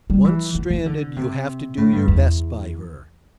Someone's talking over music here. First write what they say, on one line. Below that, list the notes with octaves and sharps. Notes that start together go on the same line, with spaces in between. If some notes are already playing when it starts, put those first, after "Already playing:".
Once stranded, you have to do your best by her.
G3
E3
E3
E3
D3
C3
A2
G2
E2